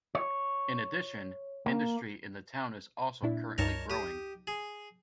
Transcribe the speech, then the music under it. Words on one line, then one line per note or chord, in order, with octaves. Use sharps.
In addition, industry in the town is also currently growing.
C#5
A#3
A#2 D4 E4
C#2 G2 D#4 A#4 C#5 A5
G4 D#6
G#4